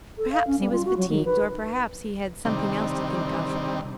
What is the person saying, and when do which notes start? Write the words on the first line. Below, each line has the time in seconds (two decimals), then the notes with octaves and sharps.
Perhaps he was fatigued, or perhaps he had something else to think of.
0.18 A4
0.32 F5
0.47 C#4
0.59 G3
0.72 F4
0.85 F#4
0.97 F#3
1.09 D#3
1.25 B4
2.45 C3 D#3 G3 C4 D4 D#4